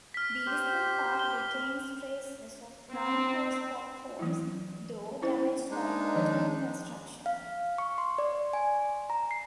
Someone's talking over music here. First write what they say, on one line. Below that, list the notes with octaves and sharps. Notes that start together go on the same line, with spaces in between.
The eastern part retains traces of round house platforms, though damaged by wartime construction.
F6 B6
G4 C5
G7
C4
E3 F#3 E4
C#4 E4 C5
G#3 D4 D#4
D#3 F3 C#5
F5
C#6
C6
D5
G#5
A#5
C7